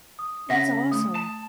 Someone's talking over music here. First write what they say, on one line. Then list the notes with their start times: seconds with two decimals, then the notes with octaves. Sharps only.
that's awesome.
0.19 D#6
0.50 C#3 E5 F#5 A#6 B6
0.91 A3 D#6
1.15 A5